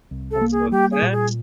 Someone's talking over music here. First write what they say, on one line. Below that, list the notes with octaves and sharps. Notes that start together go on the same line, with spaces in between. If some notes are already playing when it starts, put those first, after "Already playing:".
And so that's
C2
A4
A#3
G#4
G3 G4
G#4
A#2
G#4